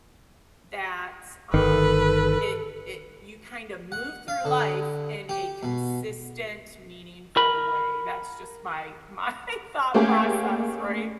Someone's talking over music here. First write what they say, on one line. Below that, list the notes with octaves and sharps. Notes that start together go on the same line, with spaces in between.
that, um, it it you kinda move through life in a consistent, meaningful way. That's just my my thought process, right?
G1 D#3 A4 B4
F#5
F5
D3
G4
B2
A#4 B5
A3 A#3 C#4 G4 G#4